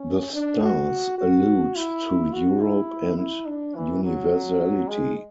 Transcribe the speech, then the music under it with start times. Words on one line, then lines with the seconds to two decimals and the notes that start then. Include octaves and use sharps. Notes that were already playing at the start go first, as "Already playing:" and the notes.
The stars allude to Europe and universality.
Already playing: C#4
0.34 D4
0.62 F#4
1.18 F#4
1.76 E4
2.33 F#4
2.61 E4
3.17 E4
3.46 D4
3.75 E3
4.04 F#3
4.88 G#3